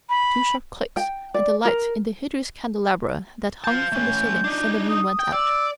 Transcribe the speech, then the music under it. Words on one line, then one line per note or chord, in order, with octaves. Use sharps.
Two sharp clicks and the lights in the hideous candelabra that hung from the ceiling suddenly went out.
B5
G5
D5
A#4
F5 A5 G6
A3 C#4
D4 D#4
D#6
G5
D5 E6